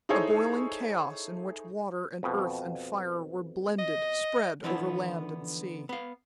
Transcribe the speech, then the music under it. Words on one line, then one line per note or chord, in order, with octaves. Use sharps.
A boiling chaos in which water and earth and fire were blended, spread over land and sea.
D#4 E4 G#4 A4 C5 C#5
F2 B2
D#5
D3 E3 F3 B3 E4
B3 F5